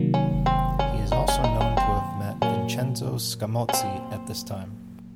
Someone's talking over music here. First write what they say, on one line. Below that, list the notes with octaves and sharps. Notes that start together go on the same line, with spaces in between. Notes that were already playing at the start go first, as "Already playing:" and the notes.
He is also known to have met Vincenzo Scamozzi at this time.
Already playing: C3 D#3 F#3 A#3
C#4
C4
C#4
D#4
C#4
D#4
C#4
C4
A#2 F#3 A#3 C#4
C#4
C4